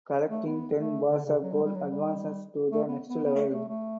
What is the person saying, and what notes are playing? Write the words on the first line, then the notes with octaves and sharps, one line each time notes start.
Collecting ten bars of gold advances to the next level.
A3
B3
A3
D3
C#3
F#3
G3
G3
F#3
G3
A3
B3
B3
B3
A3
A3
A3